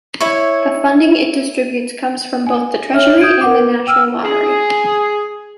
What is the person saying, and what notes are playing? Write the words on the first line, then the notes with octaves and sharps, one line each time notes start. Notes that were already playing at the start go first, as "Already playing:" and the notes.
The funding it distributes comes from both the Treasury and the National Lottery.
E4 C#5
G#5
C#5 E5 F6
D#6 G6 G#6 D7
A#4 F#5 D6
B4
G5 E6 F6
G#4